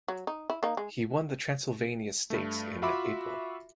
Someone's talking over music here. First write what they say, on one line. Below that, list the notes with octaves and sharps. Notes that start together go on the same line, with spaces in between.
He won the Transylvania Stakes in April.
F#3
D#4
E4
A#3 D#4
G#3
G2 A3
F4 F#4 E5 B5 D6